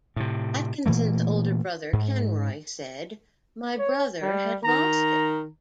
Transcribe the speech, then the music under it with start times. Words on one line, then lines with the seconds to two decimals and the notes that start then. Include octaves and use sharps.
Atkinson's older brother Kenroy said My brother had lost it.
0.16 A2 C3
0.86 A#2 E3 A3 A#3
1.93 G#2
3.78 C#5
4.22 G3
4.64 D#3 A#5